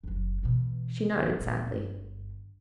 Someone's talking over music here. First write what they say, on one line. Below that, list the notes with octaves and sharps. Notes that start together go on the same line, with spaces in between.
She nodded sadly.
F#1 F#3
B2 E3
D#2 A#2
G1